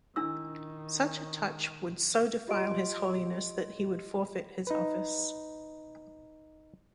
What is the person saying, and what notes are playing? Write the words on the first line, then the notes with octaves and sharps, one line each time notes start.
Such a touch would so defile his holiness that he would forfeit his office.
D#3 D4 E4 E6
F4 G4 D#5 C6 D7
D#4 B4